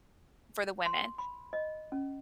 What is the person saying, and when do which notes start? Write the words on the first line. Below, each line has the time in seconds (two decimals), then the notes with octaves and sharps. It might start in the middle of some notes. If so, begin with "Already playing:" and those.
for the women.
0.86 C6
1.18 B5
1.53 D#5
1.92 C#4